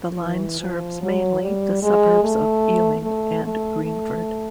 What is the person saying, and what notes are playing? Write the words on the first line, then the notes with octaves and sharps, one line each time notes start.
The line serves mainly the suburbs of Ealing and Greenford.
E3
F3
F#3
G3
G#3
A3
A3
A3
A3